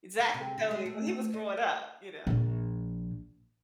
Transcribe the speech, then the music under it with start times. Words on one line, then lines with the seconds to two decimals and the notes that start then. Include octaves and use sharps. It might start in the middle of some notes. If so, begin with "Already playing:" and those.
Zack and Cody," when he was growing up, you know?
0.19 D2
0.34 C3
0.58 D3
0.71 G#3
0.86 A3
1.06 A3
1.34 D#5
2.27 A#1 A#2